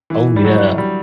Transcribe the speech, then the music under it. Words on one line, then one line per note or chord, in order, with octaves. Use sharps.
Oh, yeah.
E3
G3
F#3
G3